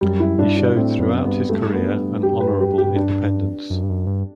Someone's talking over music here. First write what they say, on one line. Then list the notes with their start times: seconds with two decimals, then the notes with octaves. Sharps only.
He showed throughout his career an honourable independence.
0.01 F#2 G3
0.20 E4
0.38 G2 D4
0.57 D4
0.75 A2 C4
1.00 F#2 B3
1.25 G2 B3
1.49 G2 A3
1.73 B3
2.23 G4
2.41 B4
2.60 G4
2.78 G4
2.96 D4
3.70 F#2
3.83 G2
3.89 F#2
4.07 G2